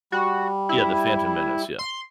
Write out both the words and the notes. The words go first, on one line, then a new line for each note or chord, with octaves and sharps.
Yeah, The Phantom Menace, yeah.
G3 F#4
E4
C6